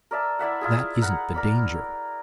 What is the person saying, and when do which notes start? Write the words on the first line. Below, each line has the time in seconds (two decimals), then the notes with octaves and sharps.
That isn't the danger.
0.11 A#4 D5 E5 A5
0.39 E4 D5 E5 F#5
0.61 E4 F4 G#4
1.02 A#4 F#5
1.34 A#4 D5 B5